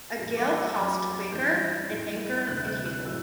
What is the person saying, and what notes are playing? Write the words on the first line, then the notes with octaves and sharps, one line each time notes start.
A gale cost "Quaker" an anchor and cable.
A2 E3 G3
D6
E6
F#2 F#3 D6
D6
A6
G2 E3 G3 G6
A2 G3
G6
D2 C3 G3 F#6
F#6
F#6
A2 F#3 E6